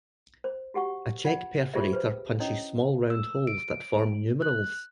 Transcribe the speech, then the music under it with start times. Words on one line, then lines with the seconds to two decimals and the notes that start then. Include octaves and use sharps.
A check perforator punches small round holes that form numerals.
0.44 C5
0.74 F#4 G4 F#5 C#6
1.25 F4 D5 F#5
1.74 F4 G4 G#4 C5 D5 E5
1.93 B4 C5
2.39 C#4 D4 E4 C#5 D#5 D#6
3.10 E6
3.47 D7
4.42 F#6